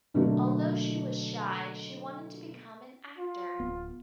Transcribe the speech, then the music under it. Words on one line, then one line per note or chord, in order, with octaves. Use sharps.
Although she was shy, she wanted to become an actor.
B2 D3 F#3 A3 A#3
F4
D1 B3